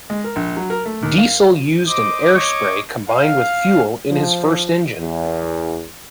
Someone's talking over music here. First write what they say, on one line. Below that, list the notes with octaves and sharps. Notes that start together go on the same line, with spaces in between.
Diesel used an air spray combined with fuel in his first engine.
G#3
A#4
A#1
F#3
A#4
A3
D#2
F5
C5 D#5 D6
C#5 D#5 C#6 D6
F5
F3
E2